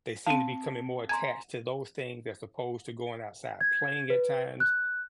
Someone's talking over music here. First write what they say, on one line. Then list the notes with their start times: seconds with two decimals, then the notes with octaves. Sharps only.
they seem to becoming more attached to those things as opposed to going outside playing at times,
0.27 C4 F5 A5
1.09 G#5 A#5 C6 G#6
3.61 G#6
4.10 B4
4.60 F#6